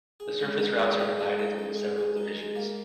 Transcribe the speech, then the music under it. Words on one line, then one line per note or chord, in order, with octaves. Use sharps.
The surface routes are divided into several divisions.
G#4
G#3
D#4
G#3
G#4
G#3
D#4
G#3
G#4
G#3
D#4
G#3
A#3